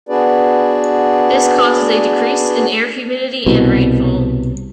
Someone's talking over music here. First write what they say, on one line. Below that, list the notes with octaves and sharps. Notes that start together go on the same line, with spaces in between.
This causes a decrease in air humidity and rainfall.
B3 D4 F#4 G#4 B4 D5
C2 B2